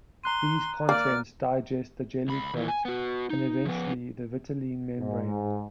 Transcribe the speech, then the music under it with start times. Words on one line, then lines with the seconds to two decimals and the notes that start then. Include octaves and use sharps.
These contents digest the jelly coat and eventually the vitelline membrane.
0.24 A#5 C6 F#6 D#7
0.89 A#3 D5 F6
2.28 C#2 B5
2.54 D#2 E3
2.68 G#5
2.85 B3 F#4
3.30 D#4
3.65 F3 B3
4.99 G#2